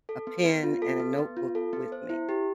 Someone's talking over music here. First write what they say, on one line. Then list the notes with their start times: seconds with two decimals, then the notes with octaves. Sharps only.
a pen and a notebook with me
0.09 A4
0.27 B3
0.45 B3
0.63 F4
0.82 A4
1.00 B3
1.18 B3
1.37 F4
1.55 A4
1.73 B3
1.92 C5
2.10 E4
2.29 G4